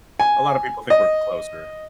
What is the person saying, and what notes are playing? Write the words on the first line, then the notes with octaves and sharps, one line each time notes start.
A lotta people think we're closer,
G#5
D#5